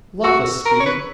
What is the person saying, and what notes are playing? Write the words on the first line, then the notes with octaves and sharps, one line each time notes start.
Luckless speed!
F#4 C#6 E6
A#4
C#5
B4